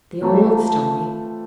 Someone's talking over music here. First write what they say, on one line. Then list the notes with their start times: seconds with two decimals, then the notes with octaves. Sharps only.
The old story.
0.22 E3 A3 C4 F4 A4 A#5
0.56 A5